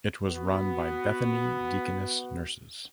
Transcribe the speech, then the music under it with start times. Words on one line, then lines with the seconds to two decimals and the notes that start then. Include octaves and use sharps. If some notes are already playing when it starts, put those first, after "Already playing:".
It was run by Bethany Deaconess nurses.
0.27 B3 F#4